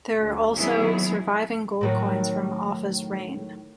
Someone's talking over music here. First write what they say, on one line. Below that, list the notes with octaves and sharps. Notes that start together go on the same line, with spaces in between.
There are also surviving gold coins from Offa's reign.
D2
D#3 F#3 A#3 B3 E4 G#4
A2 D#3 F#3